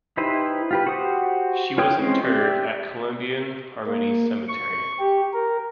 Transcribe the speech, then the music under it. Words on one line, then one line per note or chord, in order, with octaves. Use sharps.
She was interred at Columbian Harmony Cemetery.
D#4 E4 G4 B4 C5
F4 G4 B4
F#4 G4 C5 D#6
F4 B4 C#5 G5 D#6
G#3 C4 C#4 G#4 C5
G4 D5 E5
A#3
C#6
G4
A#4